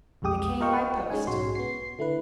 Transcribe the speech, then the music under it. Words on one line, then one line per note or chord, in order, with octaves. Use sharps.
"They came by post."
B1 F2 G#3 G4 D#6
F4 A#4 D#5 F5 G5 C#6
G#3 C#4 D#4 G#5
B1 G#2 C#4 F#4 C#5 C6
B3 C7
D3 A3 E4 B4